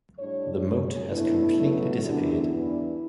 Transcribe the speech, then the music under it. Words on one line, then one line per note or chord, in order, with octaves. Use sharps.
The moat has completely disappeared.
A2 G3 D4 C#5
C#3 F#3 C#4 C#5
B2 A3 D4 E4
B2 F#3 A3 C#4
F#2 D3 G3 B3 D4 E4
G2 E3 B3 D4